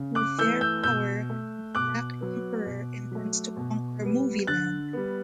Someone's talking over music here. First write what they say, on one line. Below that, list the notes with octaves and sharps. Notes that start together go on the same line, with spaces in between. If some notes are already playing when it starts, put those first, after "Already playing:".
With their power, the Black Emperor intends to conquer Movieland.
Already playing: C#3
D6 F#6
E3 A3 E6 G6
E6 G6
B2 E6 G6
A3
B2 D6 F#6
F#3 B3
B2
F#3 A3
B2
G3 B3
D3 F#6 A6
G3 B3